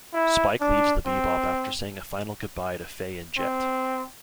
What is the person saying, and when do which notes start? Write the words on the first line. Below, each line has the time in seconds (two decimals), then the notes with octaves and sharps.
Spike leaves the "Bebop" after saying a final goodbye to Faye and Jet.
0.14 E4
0.61 D4
1.06 C4
3.38 C4